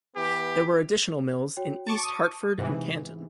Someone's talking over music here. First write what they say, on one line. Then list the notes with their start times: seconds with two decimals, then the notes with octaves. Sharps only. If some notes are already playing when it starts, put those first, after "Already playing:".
There were additional mills in East Hartford and Canton.
0.16 E3 B3 G4
1.57 F#4 C#5 G5
1.87 A5 C#6 D6
2.03 D#6 D#7
2.58 G#2 C3 E3